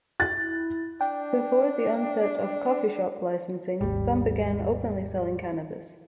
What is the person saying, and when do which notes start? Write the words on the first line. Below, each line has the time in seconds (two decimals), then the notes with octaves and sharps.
Before the onset of "coffeeshop" licensing, some began openly selling cannabis.
0.20 E4 F#6 A6
1.01 D4 G5
3.81 G#1 D#2 G3